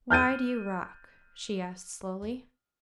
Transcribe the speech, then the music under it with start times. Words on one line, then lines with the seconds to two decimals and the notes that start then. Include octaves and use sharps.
"Why do you rock?" she asked slowly.
0.10 F6 G6 A6 D#7